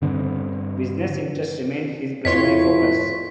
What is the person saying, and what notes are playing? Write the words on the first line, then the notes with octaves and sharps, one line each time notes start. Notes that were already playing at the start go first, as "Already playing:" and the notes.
Business interests remained his primary focus.
G2 D3 B3 C4
F2 A2 E4 F4 C#5 C6 B6